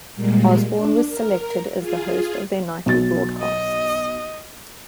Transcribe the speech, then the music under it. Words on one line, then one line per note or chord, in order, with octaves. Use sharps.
Osborne was selected as the host of their nightly broadcasts.
A#2 G3 G#3 A#3
D4
A#4
F4 G#4
B1 F#3 A6
D#5